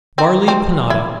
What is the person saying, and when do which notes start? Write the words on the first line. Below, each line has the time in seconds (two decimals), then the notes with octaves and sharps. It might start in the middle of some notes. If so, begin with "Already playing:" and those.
Barley Panada.
0.18 C4
0.48 C4
0.90 E4